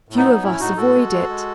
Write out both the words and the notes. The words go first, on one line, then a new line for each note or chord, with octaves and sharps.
Few of us avoid it.
A2
B3 D#4
F#3
A2 C#4 E4
A2 D#4 F#4
A2 F#4 A4
G#3
G#3
G#3